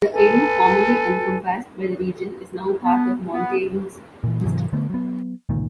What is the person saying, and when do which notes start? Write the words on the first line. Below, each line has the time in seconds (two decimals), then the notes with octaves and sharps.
The area formerly encompassed by the region is now part of Montagnes District.
0.12 A4 B4 G#5
2.83 B3
3.32 B3
4.24 A#2 E3
4.45 G#2 C3 E3 F#3
4.73 D3 A3 B3
4.90 F#3 B3
5.49 G1 C#2 A#2 D#3